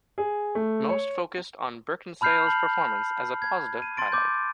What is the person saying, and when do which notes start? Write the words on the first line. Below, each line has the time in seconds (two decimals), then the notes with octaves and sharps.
Most focused on Beckinsale's performance as a positive highlight.
0.18 G#4
0.55 A3
0.89 C#5
2.21 A5 B5 F6 G6 C7 F7
2.47 A5 F#7
3.42 G#6
3.82 D#7
3.97 C6 A6 D7
4.12 D6 G6